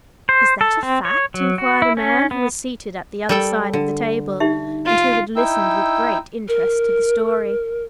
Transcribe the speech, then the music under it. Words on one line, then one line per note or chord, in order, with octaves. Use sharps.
"Is that a fact?" inquired a man who was seated at the other side of the table, and who had listened with great interest to the story.
C5
A4
C4
C#5
F#3
F#4
E4
C#4
B3
G3 A4 G5
D3
D#4 G4 E5
F4
D#4 E4 G5 E6
A#4